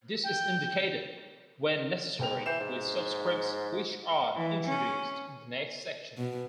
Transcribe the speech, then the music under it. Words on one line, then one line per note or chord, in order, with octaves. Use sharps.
This is indicated, when necessary, with subscripts, which are introduced in the next section.
G5
G#2 B2 G5 F7
E3 G6 C7 E7
G#2
E3
C#4
B2